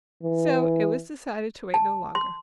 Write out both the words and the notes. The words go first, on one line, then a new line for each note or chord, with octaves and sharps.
So it was decided to wait no longer.
E3
A5
C6